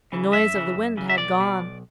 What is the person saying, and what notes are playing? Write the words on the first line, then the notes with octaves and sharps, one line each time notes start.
The noise of the wind had gone.
C#3 E3
F#2 E5
C#3 E3
F#2
C#3 E3
E5
B1 D5
B2
B1